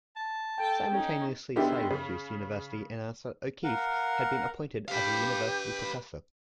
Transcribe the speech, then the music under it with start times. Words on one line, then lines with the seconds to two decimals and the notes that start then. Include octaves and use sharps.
Simultaneously Syracuse University announced that O'Keefe had been appointed as a University Professor.
0.16 A5
0.58 A4 G5
0.91 C#4 D#4
1.56 D3 D#3 G#3 B3 E4 G4
1.90 C#3
3.64 A#4 F5 F#5
4.88 G4 B4 F5